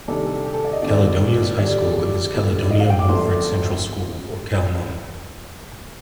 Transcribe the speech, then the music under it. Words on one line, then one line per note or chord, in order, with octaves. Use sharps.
Caledonia's high school is Caledonia-Mumford Central School, or Cal-Mum.
C2 C3 D#3 G3 D4 A4
A4
G4
A4
D5
D#5
D#2 D3 A3 C4 D#4 D5
D#2 D3 G3 D4 D5
A1 G2 D3
D#5
F5
G5
D6
G1 F2 D3 A3 D4 C6